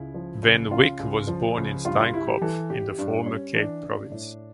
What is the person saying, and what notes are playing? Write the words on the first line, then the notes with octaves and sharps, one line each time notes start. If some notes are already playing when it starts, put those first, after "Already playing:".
Van Wyk was born in Steinkopf in the former Cape Province.
Already playing: C#2 C#3 E4
F3
C#2
C#3 F4
C#2
F3
C#2
G2 F4
F4
G3 E4
G4
E3 A4
A1 G4
G2 D4
G3 C#4
E3 D4
A1
A2